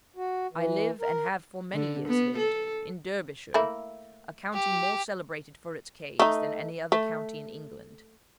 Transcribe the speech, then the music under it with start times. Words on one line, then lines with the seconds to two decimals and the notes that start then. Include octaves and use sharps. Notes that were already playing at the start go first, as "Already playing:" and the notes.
I live, and have for many years lived, in Derbyshire, a county more celebrated for its caves than any other county in England.
0.16 F#4
0.53 E3
1.00 A#4
1.73 D3
2.08 B3
2.37 A4
3.54 A3 A#3 E4
4.53 G4
6.20 A3 D#4
6.92 A3